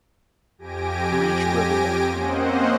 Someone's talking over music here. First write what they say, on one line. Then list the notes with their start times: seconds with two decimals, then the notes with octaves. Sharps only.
preach, brother man.
0.58 F2 G4 G#5 A#6 D7
2.11 A#3 C4 C#4 C5 D#5 F#5